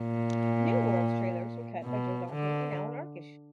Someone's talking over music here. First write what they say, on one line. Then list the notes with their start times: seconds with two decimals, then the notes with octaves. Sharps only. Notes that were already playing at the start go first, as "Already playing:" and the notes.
New World's trailers were cut by Joe Dante and Alan Arkush.
Already playing: A#2
1.84 B2
2.33 D3